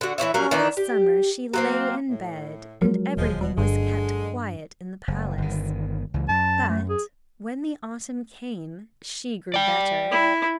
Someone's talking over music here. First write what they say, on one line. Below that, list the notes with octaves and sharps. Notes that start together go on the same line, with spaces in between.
All summer she lay in bed, and everything was kept quiet in the palace; but when the autumn came she grew better.
D3 F#4
E3 E4 C#5 E5
F#3 G3 A#3 A#4
D#3 E3 D4 D5
G4
F#3 A#3 C4
A2
F3 F#3 G#3 A#4
E1 D#2 F3 G#3
B2 G3
G1 G2 D3 G#3
F#1
G1 D#3
C#2 E3
F#2 A5
A3
G#4
D5 G5
E4